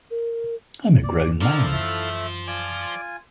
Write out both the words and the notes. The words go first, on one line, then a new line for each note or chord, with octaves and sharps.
I'm a grown man.
A#4
G2 A#3 D5
F3 E4 A4 A#4 D5 F5
F#2 E3 A3 E5
F4 D5 G#5